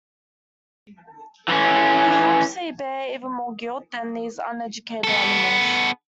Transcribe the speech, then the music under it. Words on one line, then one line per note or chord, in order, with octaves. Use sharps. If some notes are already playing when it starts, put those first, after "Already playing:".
Perhaps we bear even more guilt than these uneducated animals.
E3 C#4
B3 A4